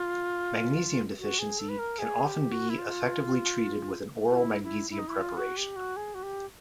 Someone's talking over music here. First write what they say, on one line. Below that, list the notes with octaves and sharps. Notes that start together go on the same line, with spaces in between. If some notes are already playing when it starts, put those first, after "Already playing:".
Magnesium deficiency can often be effectively treated with an oral magnesium preparation.
Already playing: F4
F#4
G#4
A4
B4
A#4
G#4
G4
F#4
E4
F4
F4
E4
E4
E4
D#4
E4
F4
F#4
G4
F#4
G#4
F#4
G4